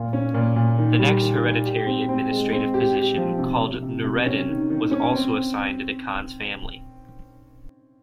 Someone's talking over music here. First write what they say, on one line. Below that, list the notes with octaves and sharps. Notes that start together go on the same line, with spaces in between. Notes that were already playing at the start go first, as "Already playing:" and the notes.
The next hereditary administrative position, called "Nureddin," was also assigned to the khan's family.
Already playing: A#2 F4
C#4
A#2
A#2
D#3
G3
D#3
D#3
G4
C4
C4
G#3
C4
G4
G4
F3
C3
C3
C3
C3
C#4
D#3
D#3
C#4
C4